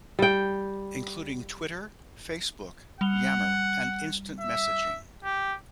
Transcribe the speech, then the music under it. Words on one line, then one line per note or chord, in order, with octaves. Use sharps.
Including Twitter, Facebook, Yammer and Instant Messaging.
G3 G5
G3 F#5 F7 G7
E5
G4